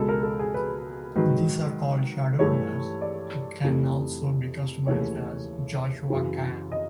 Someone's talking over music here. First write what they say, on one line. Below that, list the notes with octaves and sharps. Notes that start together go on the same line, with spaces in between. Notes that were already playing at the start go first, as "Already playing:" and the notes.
These are called shadowrunners, and can also be customized as Joshua can.
Already playing: C#2 B2 G#3 A4
A#4
A4
G#4
B4
G#2 D#3 F#3 B4
G2 E3 A3 C#5
D5
F2 C3 E3 A3
D#2 C#3 E3 A3 C#5
F#2 C#3 E3
D#5